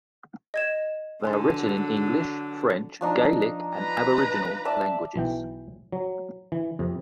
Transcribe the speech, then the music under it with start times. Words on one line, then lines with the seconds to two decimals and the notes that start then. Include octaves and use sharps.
They are written in English, French, Gaelic and Aboriginal languages.
0.54 D#5 G#6 E7
1.24 D3 F#3 G#5 C6
3.01 F3 D4 D#4
3.76 B4 A#5
4.65 D5 E5 A5
5.16 B1 E3 G5
5.92 F#3
6.52 E3
6.79 F2 C3